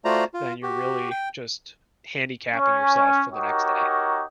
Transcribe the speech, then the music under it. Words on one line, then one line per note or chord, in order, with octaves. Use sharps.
then you're really just handicapping yourself for the next day.
A3 F4 F#4 C5 D5 A#5
F4
F#4 G4
G5
C#4
D#4 F#4 G4 A#4 C#5